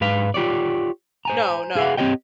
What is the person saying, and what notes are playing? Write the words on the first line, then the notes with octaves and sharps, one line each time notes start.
No, no.
G#2 G#3 B4 F5
F4 G4 C#5 D5
C5 G#5 A#5
G#4 F5 F#5
C4 G4 C#5 D#5 G5